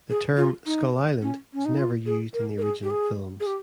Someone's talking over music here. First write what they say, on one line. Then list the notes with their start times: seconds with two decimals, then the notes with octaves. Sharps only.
The term "Skull Island" is never used in the original films.
0.10 G#4
0.37 F4
0.66 D#4
1.22 C#4
1.54 C#4
1.65 D#4
1.78 F4
2.06 G#4
2.33 A#4
2.58 A#4
2.62 G#4
2.83 G4
2.90 G#4
3.40 G#4
3.47 G4